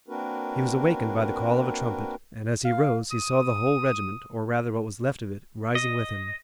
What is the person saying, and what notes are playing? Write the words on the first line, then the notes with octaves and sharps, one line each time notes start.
He was awakened by the call of a trumpet, and, as he rose, he saw the whole regiment or rather, what was left of it, rising with him.
A#3 C4 D4 F#4 A#4 B4
F5
D#6
D#5